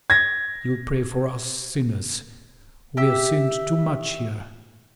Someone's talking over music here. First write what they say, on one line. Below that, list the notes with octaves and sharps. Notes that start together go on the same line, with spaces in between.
You'll pray for us sinners; we have sinned too much here.
G#6 A#6
G4 E5